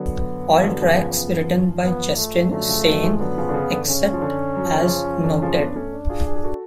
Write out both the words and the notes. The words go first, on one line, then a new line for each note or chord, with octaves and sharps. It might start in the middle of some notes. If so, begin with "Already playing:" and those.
All tracks written by Justin Sane except as noted.
Already playing: D3 F#3 B3
F#3
F3
D3 F#3
C#3 F3
B3
A3
D3 F#3 A3
C#3 F3
D3 F#3
F3 G#3
D3 F#3 B3
C#3 F3
D3
C#3
D3
C#3 C#4
F3
D3
F#3
F3
D3
C#3 F3
D3
C#3 F3
B3 D4
A3 C#4
D4
F4 G#4
F4 G#4
G#4
F#4 A4